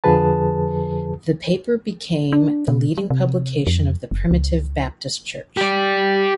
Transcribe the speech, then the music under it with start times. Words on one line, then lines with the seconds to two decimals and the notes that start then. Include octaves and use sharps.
The paper became the leading publication of the Primitive Baptist Church.
0.04 F2 D3 F3 G#4 B4 A5
2.32 D4
2.68 B2
2.97 G3
3.10 C3
3.67 F2
4.11 F#1
4.31 C#2
5.57 G4 D5